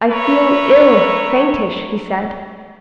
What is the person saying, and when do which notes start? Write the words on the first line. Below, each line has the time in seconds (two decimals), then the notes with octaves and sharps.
"I feel ill--faintish," he said.
0.11 A#4 B4 C#5 E5